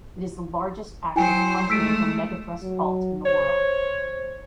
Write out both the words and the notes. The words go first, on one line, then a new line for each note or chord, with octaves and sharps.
It is the largest active continental megathrust fault in the world.
F#3 E4 C5 G5 G#5
G#3 A3 E6 B6 D7
F#3
C5 C#5